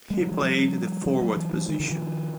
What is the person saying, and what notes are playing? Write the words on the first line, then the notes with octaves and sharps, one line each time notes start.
He played the forward position.
G3 A3
F3 G3
F3 G3
F3 G3
F3 G3
F#3 G#3
E3 F#3
E3 F#3
D#3 F3
D3 E3
D#3 F3